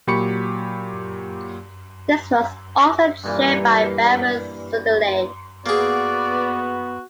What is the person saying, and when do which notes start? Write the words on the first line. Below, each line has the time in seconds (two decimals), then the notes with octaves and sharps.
This was also chaired by Baron Sudeley.
0.07 A#2 F#3 G4 B5 C#6 C#7
3.24 G2 A#2 E3
5.66 A#3 B3 F#4 G#4 D5